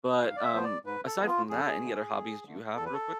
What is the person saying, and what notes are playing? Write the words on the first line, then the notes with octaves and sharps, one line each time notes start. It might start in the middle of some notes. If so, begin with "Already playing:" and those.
But, um, aside from that, any other hobbies do you have, real quick?
G#5
G#2 F5
D5
E5
F3 B3 C5
D5
G#2 B4
A4
F3 B3
F4
F2 G#4
A4
G#4
D3 A3
F2
D3 A3
E2 A4
B4
A4